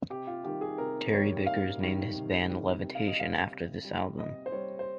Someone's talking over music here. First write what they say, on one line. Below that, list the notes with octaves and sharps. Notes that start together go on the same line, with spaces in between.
Terry Bickers named his band Levitation after this album.
C3 G4
F4
D#3 G3 G4
G#4
C3 A#4
D#3 G3 C#5
C3 F5
D#3 G3
C3
D#3 G3
C3
F5
D#5
G3 F5
C3
G3
C3 D#5
C5
G3 C#5
C5